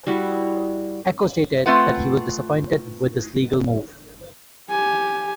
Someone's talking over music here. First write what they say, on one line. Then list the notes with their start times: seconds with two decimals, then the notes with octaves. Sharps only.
Ecko stated that he was disappointed with this legal move.
0.07 G3 E4 F#4
1.66 A3 C4 F4 B4 F#5
4.70 G4 G#5